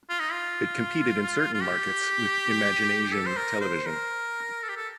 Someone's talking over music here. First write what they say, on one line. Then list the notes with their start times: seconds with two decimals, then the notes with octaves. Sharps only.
It competed in certain markets with ImaginAsian Television.
0.10 F4
0.20 D#4
0.32 F4
1.54 F4
1.61 G4
3.12 A4
3.26 C5
3.37 A#4
3.61 C5
3.86 A#4
4.63 A4
4.69 G4
4.77 A4